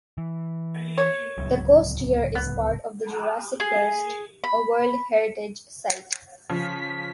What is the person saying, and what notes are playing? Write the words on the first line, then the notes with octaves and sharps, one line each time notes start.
The coast here is part of the Jurassic Coast, a World Heritage Site.
E3
C#5
D1 C#2 F#3
B3
G#4
B5
C#3 F3 B6